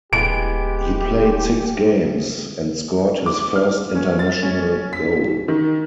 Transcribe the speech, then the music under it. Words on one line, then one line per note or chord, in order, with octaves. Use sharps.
He played six games, and scored his first international goal.
D#1 G#3 B3 G4 D7
D6
F6
C#4
A6
C#4
B6
D#3